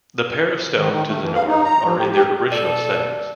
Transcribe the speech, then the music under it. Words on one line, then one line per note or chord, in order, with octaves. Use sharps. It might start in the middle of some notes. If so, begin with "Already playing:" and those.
The pair of stones to the north are in their original settings.
D#3
D#3
A3
E3
F5
D#4
A#5
F3
G4
G4
B2 A4 D5